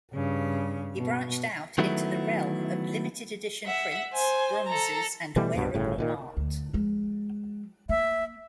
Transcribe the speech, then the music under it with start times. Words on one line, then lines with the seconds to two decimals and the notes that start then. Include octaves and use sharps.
He branched out into the realm of limited edition prints, bronzes, and wearable art.
0.14 G2 C#3
0.97 B2
1.78 D#3 F#3 A3 B3 E4
3.66 E5 F#5
4.13 C5 G#5
4.67 A4 A#5
5.36 B2 E3 G3 A3
5.56 C2 G2 B2
5.74 G1 A2 C#3
5.98 A#2 D3 D#3
6.37 D2
6.73 F3 G#3
7.89 A#3 E5